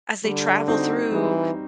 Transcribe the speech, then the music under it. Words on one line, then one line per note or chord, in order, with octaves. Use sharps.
as they travel through
D3 G3
C4 D#4 F#4
E3 G3